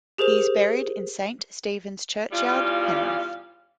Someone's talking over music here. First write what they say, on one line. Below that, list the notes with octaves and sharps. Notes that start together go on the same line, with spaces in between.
He is buried in Saint Stephen's churchyard, Penrith.
G4 G#4 A#4 C5 F7
E2 C#3 G3 F4